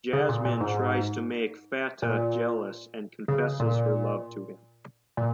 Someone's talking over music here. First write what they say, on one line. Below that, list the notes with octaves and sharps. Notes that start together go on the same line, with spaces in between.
Jasmin tries to make Fateh jealous and confesses her love to him.
C#3
A#2
A#2
G#2
A#2
C#3
A#2
A#2